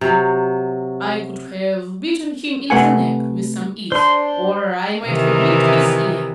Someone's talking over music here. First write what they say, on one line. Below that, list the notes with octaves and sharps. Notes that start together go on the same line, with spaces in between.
I could have bitten him in the neck with some ease ... or I might have licked his ear.
C3 F#3
C3 D#3 A3 B4 F#5 G#5
D4 C5 C6
C3 D#3 E3